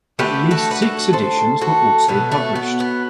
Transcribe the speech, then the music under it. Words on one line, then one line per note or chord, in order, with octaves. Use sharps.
At least six editions were also published.
D3 A3 G4 B4
F#4 A4
B4
F#4 A4
A4 C5
F#4 A4
B2 F#3 A3 B3
A3
B3
B3